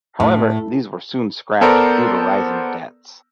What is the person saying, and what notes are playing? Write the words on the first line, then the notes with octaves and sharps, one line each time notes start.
However, these were soon scrapped due to rising debts.
A2
B3 A4 A#4 C5 D5 A#5